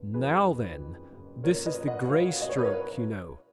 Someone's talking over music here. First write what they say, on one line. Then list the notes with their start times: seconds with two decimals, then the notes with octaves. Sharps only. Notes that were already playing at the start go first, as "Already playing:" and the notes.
"Now then. This is the Grey stroke, you know."
Already playing: F1
0.14 F2 G#4 B4
0.47 D#3
0.79 F#1
1.12 F#1
1.44 A#2 A#4 C#5
1.66 B4 D#5
1.77 F3
1.87 D#5 F#5
2.04 F#5
2.09 B1 C#5 F5
2.42 B1 D#5
2.49 C#5
2.58 B4
2.65 A#4 C#5